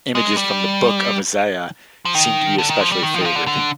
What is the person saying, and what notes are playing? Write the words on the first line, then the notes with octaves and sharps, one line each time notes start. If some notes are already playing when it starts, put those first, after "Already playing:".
Images from the Book of Isaiah seem to be especially favoured.
G#3
G3
F3
D#3
D3
D#3
F3
G3
D#3
F3
D#3
F3
D3
D3